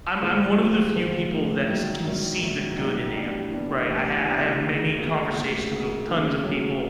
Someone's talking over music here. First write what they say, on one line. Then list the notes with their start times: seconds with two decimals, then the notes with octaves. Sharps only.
I'm I'm one of the few people that can see the good in AI, right? I have I have many conversations with tons of people,
0.22 A2 F3 G#3
0.58 A2 F3 G#3
0.94 A2 F3 G#3
1.31 A2 F3 G#3
1.68 A#1 G#2 D#3 F#3
2.04 A#1 G#2 D#3 F#3
2.41 A#1 G#2 D#3 F#3
2.77 A#1 G#2 D#3 F#3
3.14 A2 E3 G3 B3 D4
3.51 A2 E3 G3 B3 D4
3.87 A2 E3 G3 B3 D4
4.24 A2 E3 G3 B3 D4
4.60 E1 D2 C#3
4.96 E1 D2 C#3
5.33 E1 D2 C#3
5.69 E1 D2 C#3
6.06 D#2 C#3 F#3 A3 C#4
6.43 D#2 C#3 F#3 A3 C#4